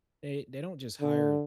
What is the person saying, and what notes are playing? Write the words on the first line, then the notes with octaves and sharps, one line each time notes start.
they they don't just hire
D3